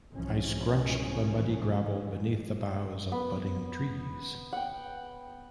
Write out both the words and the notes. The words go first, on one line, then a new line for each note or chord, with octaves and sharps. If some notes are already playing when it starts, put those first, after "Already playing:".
I scrunched the muddy gravel beneath the boughs of budding trees.
C2 G#2 E3 F3 C#4
B3
F#5 G5